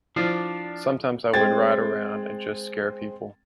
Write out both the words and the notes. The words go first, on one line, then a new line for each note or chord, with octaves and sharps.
Sometimes I would ride around and just scare people.
F3 D4 E4 F4 D5 F5
G#3 C4 G5 G#6 A6